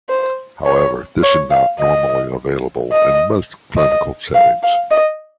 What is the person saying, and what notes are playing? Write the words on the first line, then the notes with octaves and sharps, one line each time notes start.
However, this is not normally available in most clinical settings.
C5
C#5
C#5
F5
D#5
D#5
D#5
F5
F5
D#5